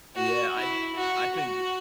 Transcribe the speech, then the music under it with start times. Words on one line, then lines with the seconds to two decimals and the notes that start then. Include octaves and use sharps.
Yeah, I I think g
0.15 F#4
0.55 E4
0.95 F#4
1.34 F#4